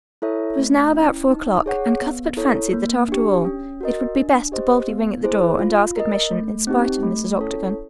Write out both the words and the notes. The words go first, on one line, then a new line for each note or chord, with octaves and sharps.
It was now about four o'clock, and Cuthbert fancied that after all it would be best to boldly ring at the door and ask admission, in spite of Mrs. Octagon.
E4 A4 C#5 E5
A3
C#4 E4
D#4
G#4 C#5 F#5
B3
E4 A4 C#5
A#3
D4 G4
C#4
F#4 A#4 D#5
D4
G4 C5 D#5
B3
E4 G#4 C5
F4
A#4 D#5
A3
C4 D#4 G4
A3
C#4 E4 A4 C#5